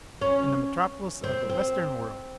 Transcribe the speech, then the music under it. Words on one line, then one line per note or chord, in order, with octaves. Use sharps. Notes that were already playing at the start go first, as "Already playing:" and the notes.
In the metropolis of the western world!
C#4
C4
C4